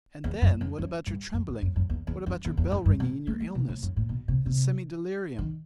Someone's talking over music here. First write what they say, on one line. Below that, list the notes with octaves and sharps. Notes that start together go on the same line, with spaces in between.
And then what about your trembling, what about your bell-ringing in your illness, in semi-delirium?
E2
F#2
F#2
F#2
G2
F#2
E2
F#2
F#2
E2
E2
F#2
E2
E2
F#2
G2
B2
A3
A3
B2
A2
F#2
A2
B2
C3
C3
D#3